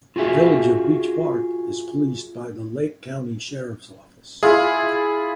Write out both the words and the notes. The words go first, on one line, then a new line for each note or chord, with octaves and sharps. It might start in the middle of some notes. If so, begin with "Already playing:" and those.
The village of Beach Park is policed by the Lake County Sheriff's Office.
F4 F#4 G#4 E5
E4 F4 G#4